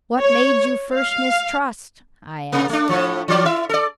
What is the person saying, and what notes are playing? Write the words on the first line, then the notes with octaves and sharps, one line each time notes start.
"What made you first mistrust?" I asked.
C#5
F5
C3 A#3
A3 D4
A2 F3
E3 F#3 D5
E4 E5
A4 D5